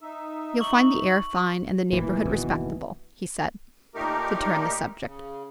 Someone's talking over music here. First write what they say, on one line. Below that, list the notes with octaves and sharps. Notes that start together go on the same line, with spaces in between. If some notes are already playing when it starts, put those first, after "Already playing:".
"You'll find the air fine, and the neighborhood respectable," he said, to turn the subject.
D#4 E5
C#6 F#7
A#2 E3
F#1 D#2 B2 E3
A#2 A3 D#4 G4 A#4
C#3